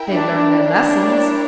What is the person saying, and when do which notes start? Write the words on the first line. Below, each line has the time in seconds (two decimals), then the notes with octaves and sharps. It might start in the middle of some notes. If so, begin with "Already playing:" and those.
"They learn their lessons."
Already playing: E4 A#4 E5 G5
0.11 D4
0.54 D4 E4 A#4 C#5 G5